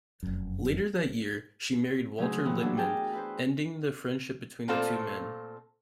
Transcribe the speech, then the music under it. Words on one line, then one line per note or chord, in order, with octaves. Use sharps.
Later that year, she married Walter Lippmann, ending the friendship between the two men.
F1 F#2
C#3 F#3 A3 D#4 G#4 C5
F2 A#2 E3 B3 E4
G2 F#3 D4 A4
G#4 A#4 G5 A5
E4 B4 C5
A#2 A3 C4 F4 A4 C5